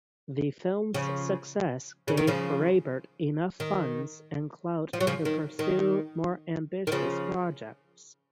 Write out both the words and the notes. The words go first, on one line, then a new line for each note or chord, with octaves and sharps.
The film's success gave Raybert enough funds and clout to pursue more ambitious projects.
C#3 F3
C#3
D#3
C#3 F3
D#3
F3
F#3
C#3 F3
D#3
D#3
D#3
C#3 F3